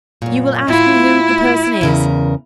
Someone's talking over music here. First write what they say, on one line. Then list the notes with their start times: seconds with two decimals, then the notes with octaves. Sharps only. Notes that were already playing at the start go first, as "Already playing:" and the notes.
You will ask me who the person is.
0.22 F#2 A#2
0.68 A2 E4 F4
1.81 E2 C#3 A#4